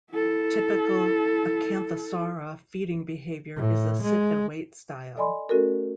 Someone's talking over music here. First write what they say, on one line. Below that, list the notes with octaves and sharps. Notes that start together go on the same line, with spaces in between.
Typical "Acanthosaura" feeding behavior is a sit-and-wait style.
E4 A4
A2
G#3
A4 D5 D#5 G#5 B5 C6
A3 C#4 F#4 A4 A#4